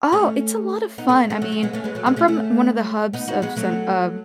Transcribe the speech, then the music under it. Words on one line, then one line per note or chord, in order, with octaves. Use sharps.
Oh, it's a lot of fun, I mean, I'm from one of the hubs of cen of
A3 C#4
B3 D#4
A3 C#4
A3 C#4
F#3 A3
A3 C#4
G#3 B3
A3 C#4
G#3 B3
F#3 A3
G#3 B3
A3 C#4
A3 C#4
B3 D#4
D#4 F#4
G#3 B3
F#3 A3